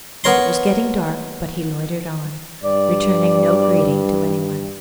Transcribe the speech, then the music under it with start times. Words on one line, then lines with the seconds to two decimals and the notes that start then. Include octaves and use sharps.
It was getting dark, but he loitered on, returning no greeting to any one.
0.24 B3 A#4 C#5 A#5 C6
2.63 G2 D5